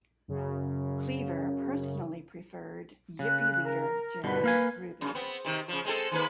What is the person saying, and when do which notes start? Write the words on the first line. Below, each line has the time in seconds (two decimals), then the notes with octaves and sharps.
Cleaver personally preferred Yippie leader Jerry Rubin.
0.28 F#2 C#3
3.19 C#3 F#6
3.64 A#4
4.24 G2 B2 D3 B4
4.44 A#3 F5 G#5
5.01 F#2 C#3
5.15 B3 C4
5.45 C3 D#3
5.68 C#3 F3
5.85 G#3 C4 A4
6.11 D#3 A#3 B4